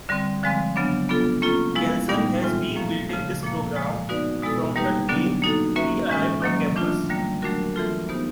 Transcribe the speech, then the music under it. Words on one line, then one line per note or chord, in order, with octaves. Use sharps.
Kelson has been building this program from the day he arrived on campus.
D3 G3 C4
D3 F3 G#3 C4
C#3 F#3 B3 D4
B3 D4 F4 A4
A#3 C#4 F4 A4
F3 G#3 B3 E4
A#2 G3 B3 D#4
A2 E3 G#3 C4 F4
A2 F3 A#3
C#3 F3 A3
A#2 F3 A#3
A2 F3 G#3
B3 D#4 F#4 B4 D5
B2 G#3 B3 E4 A4
G3 A#3 D#4 G4 B4
D3 F#3 B3 D4
A#3 D#4 F#4 A4
A#3 C#4 F#4 B4 E5
A2 E3 G#3 C#4
D#3 F#3 A#3 C#4
E3 A3 D4 F4
D3 G3 A#3
F#3 A3 D4 F#4 A#4
E3 A3 C4 F4 A4
B3 D#4 G4 C5